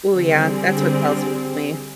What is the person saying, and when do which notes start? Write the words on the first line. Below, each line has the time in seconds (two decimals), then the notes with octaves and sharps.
Ooh yeah, that's what tells me.
0.13 D3 G3 C4 G#4